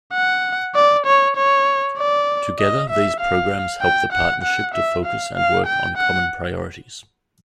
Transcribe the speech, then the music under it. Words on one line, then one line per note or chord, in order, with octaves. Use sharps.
Together these programmes help the partnership to focus and work on common priorities.
F#5
D5
C#5
C#5
D5
D#5
E5
F5
G5
F#5
F#5
E5
F5
F5
G5
F#5